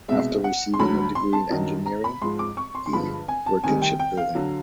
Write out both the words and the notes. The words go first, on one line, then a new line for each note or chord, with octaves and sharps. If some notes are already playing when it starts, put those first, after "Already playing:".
After receiving a degree in engineering, he worked in shipbuilding.
C2 B2 G#3 E5
F#5
C6
D2 D3 F#3 B5
C6
A5
F#2 D#3 F#3
A#5
B5
G#2 F3 G#3 C6
D6
C#6
C6
C6
G2 D3 F3 G#3 B5
G#5
A5
D2 C3 D#3 G3 G#5
G5
G5
F5
D3 F#3